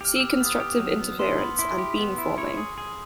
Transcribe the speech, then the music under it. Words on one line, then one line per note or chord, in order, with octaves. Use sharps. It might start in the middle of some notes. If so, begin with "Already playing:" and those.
See Constructive interference, and Beamforming.
G4 F6
G4 E6
F6
B3 D#6
G4
F#3
B3
B3 C6
B3 B5
E4 C6
G4
B3
E4
C#5
G#4
G#4